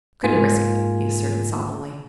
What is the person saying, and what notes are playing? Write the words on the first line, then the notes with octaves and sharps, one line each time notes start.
"Couldn't risk it," he asserted solemnly.
G#2 A#3 F4 G#5